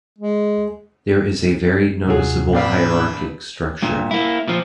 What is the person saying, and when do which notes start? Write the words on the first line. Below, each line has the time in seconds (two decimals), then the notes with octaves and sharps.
There is a very noticeable hierarchic structure.
0.18 G#3
2.07 D#2 C3 F#3 F4 G#4
2.53 A#1 A2 A#3 C4 D4 B4 D5 F5
3.82 G2 A#2
4.11 A#3 E4
4.48 A#2 F3